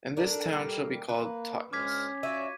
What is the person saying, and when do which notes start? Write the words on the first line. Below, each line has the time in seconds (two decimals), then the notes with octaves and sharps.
And this town shall be called Totnes.
0.17 D4 A4 A#4
0.49 G3 A#3
1.09 A#3 B4
1.73 D2 G#3 C#4 D6 F6 G#6 B6
2.23 F4 F#4 C#5 D5 E5 D#7